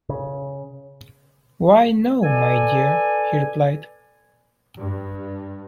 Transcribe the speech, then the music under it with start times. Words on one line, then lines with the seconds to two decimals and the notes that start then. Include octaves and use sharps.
"Why, no, my dear," he replied.
0.09 C#3
2.23 A4 B4 D5 G#5
4.77 G2